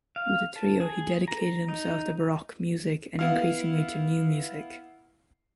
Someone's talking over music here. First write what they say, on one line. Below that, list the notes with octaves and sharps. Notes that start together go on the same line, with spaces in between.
With the trio he dedicated himself to baroque music and increasingly to new music.
F5
A5
G#4
A#5
D#4
B3 E4 F5